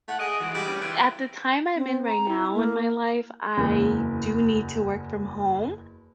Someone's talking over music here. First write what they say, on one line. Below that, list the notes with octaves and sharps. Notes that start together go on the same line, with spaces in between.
at the time I'm in right now in my life, I do need to work from home,
A3 F#5
G#4 D#5 D7
E3 G#3 F#4
G3 D7
C#4 B4
E3 E4 F4 G4
C4
A#5
E4
A#3
F#1 E2